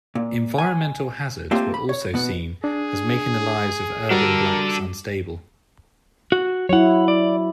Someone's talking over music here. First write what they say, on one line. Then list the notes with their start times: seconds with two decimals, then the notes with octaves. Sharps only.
Environmental hazards were also seen as making the lives of urban blacks unstable.
0.15 A#2
0.58 G#5
1.51 A3 A#3 C4 F4 G4 C5
1.74 B5
1.89 C#5
2.14 B2 B3
2.64 D4 G#4
4.10 G3 D4 F#4 A4 A#4
6.32 F#4
6.69 F#3 E4 C#5 F#5
7.08 D5